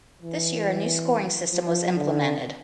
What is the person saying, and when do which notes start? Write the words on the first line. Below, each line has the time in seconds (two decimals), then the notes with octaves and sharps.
This year a new scoring system was implemented.
0.22 E3
1.52 F3
1.95 D3